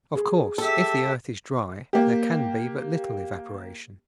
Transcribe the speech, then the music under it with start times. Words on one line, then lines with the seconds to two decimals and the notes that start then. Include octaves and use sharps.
Of course, if the earth is dry there can be but little evaporation.
0.15 G#4
0.58 G4 A4 E5
1.93 A#3 G4